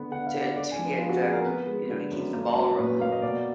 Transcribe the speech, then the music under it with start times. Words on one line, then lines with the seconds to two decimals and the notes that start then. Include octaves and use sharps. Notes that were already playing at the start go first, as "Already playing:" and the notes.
to to get the you know, to keep the ball rolling.
Already playing: D3 B3
0.11 D3 F#5
0.27 F5
0.34 D3
0.41 D5
0.56 D3 D5
0.72 G#5
0.79 F3
0.85 B4
0.98 B3 F4
1.09 F#4
1.21 B3 G#4
1.33 A#4
1.45 B3 B4
1.67 G#3
1.90 D3
2.12 F#2
2.33 A#3
2.55 F#3
2.78 A#2 B4
3.00 A#3 F5
3.12 D#5
3.22 B2 D5